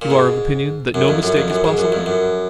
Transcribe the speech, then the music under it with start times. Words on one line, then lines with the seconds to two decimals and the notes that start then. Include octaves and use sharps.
"You are of opinion that no mistake is possible?"
0.02 A#2
0.10 G#2
0.94 F#2
1.08 F2
1.23 F#2
1.37 F2
1.50 F#2
1.64 G#2
1.78 F#2
1.92 F2
2.06 F#2